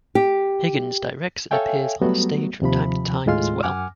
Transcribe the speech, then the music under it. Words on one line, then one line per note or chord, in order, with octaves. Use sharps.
Higgins directs and appears on the stage from time to time as well.
G4
A4 C#5 E5 F5 G5 G#5
F#3 G3 A3 B3 F#4
D#2 C3 F3 B5
D#2 A2 G#3 F4 C6 F6
F#2 F#5 G#5 D6 F6